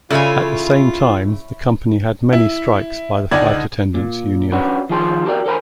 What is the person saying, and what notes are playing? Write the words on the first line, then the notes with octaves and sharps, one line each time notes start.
At the same time, the company had many strikes by the flight attendants' union.
C#3 E4 F4 A4 C#5 E5 F5 G#5
E4
C#2 D3 D#4 D5 D#5 G#6
A#2
C#4 D4 F#4 B4
D#3 F3 F4 G#4 A5 C6
F#4 G4 A#4 C5 D5
A4 A#4 C5 G#5 A#5 B5